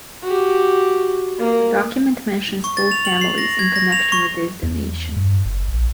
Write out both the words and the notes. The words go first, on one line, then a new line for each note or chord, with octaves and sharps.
The document mentions both families in connection with this donation.
F#4 G4
A#3
C#6
A6
F7
F#7
C7
A#6
G#6
A#6
F7
C#6
E2
G2
F#1
A#1